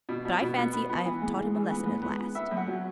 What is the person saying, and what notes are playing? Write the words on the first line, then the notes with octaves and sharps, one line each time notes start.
But I fancy I have taught him a lesson at last.
B2
B2
B2
B3
B3
B3
E3
G#2
G#2
E3
B3
G#2
B3
B3
B3 E5
F#2
F#5
F#3